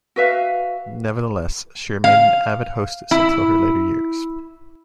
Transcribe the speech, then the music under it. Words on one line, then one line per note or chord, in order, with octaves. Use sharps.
Nevertheless, she remained an avid hostess until her later years.
F#4 B4 E5 F5
F5
E4